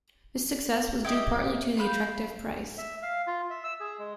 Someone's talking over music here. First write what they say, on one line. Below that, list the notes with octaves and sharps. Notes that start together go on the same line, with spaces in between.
This success was due partly to the attractive price.
E4 G4 D#5
F5 B5 F6 G6
E5
F5
F4
E5
E6
G#4
G#3